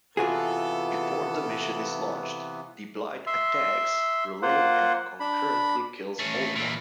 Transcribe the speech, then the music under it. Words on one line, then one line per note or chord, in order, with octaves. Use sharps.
Before the mission is launched, the Blight attacks Relay and concurrently kills Old One.
C3 E3 B3 F4 F#4 G#4 A4
E5 C6
A#3 F4 C5 F#5
D4 B5
A3 C#4
A#2 E3